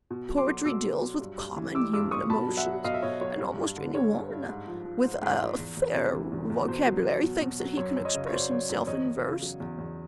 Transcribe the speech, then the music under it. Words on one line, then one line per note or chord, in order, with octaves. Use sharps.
Poetry deals with common human emotion, and almost any one with a fair vocabulary thinks that he can express himself in verse.
B2
F#3
C6 D6
F#3
B2 D6 E6
B2
F#3
G2
G2
E3
G3 D6 E6
G2 D6 E6
G2 C#6 D#6
B2 A5 B5
F#3
E5 F#5
F#3
B2 D#5 F5
E5
B2 C#5 D#5
F#3 C#5
G2
G2
D3
G3 C#5
G2
G2
G#2
F3
F3
G#2 C5
G#2
F3
E2
E2
C3
E3
E2
E2
B2 C5
F#3
F#3
B2
B2
F#3
F#2 C#5
F#2
C#5 D#5
C#3
C#5
F#3 C5 D5
F#2 C#5
F#2
E2 C#5 D#5
E2
C#3
F#3
E2
E2